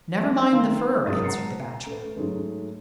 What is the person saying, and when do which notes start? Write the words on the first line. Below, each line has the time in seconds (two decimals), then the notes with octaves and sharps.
"Never mind the fur," answered the Bachelor.
0.18 B3 C4 E5
0.52 D#3 F5 A#5 C6
1.07 G#1 F#3 G#3 D#6 A6
1.24 F#5 A5 A#5 C7 C#7
1.86 A3 B4
2.16 G#2 F#3 G#3 A3